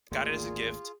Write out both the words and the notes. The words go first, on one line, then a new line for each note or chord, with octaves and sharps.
Got it as a gift,
G#1 D2 A#2 A3 F4 G#4